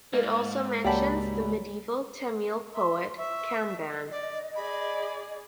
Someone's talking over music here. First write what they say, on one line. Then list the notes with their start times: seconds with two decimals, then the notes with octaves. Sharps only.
It also mentions the medieval Tamil poet Kamban.
0.13 G#2 A#3 D#5
0.84 C#2 F#3 A#3 G4 D5 G5 A5 B5
2.73 E5 C6
3.18 E5 C#6 E6
3.75 D#5
4.11 D5
4.55 G#4 D5 B5